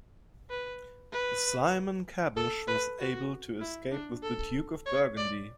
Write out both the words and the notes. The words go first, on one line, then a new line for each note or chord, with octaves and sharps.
Simon Caboche was able to escape with the Duke of Burgundy.
B4
B4
A4
B4
F#4
E4
D4
A4
C#5
D5